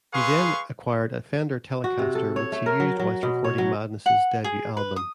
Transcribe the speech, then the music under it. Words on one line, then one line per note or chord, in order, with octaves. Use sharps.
He then acquired a Fender Telecaster which he used whilst recording Madness' debut album.
G#4 B4 F5 C6 C#6
F#4
C3
A4
C#5
A3
A#4
F#3
F#3
B2
C#5
F#3
F#5
G#4
B4
D#6